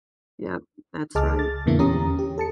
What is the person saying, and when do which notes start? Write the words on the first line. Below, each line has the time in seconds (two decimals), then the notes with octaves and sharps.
Yep, that's right.
1.15 C#2 G#4 D#5 A5 D6 F6
1.39 A6
1.66 F2 A#2 D3 A#3 B3 E4
1.79 E2 C#4 G4 A#5 D#6
2.19 G4
2.38 A4 A5 C#7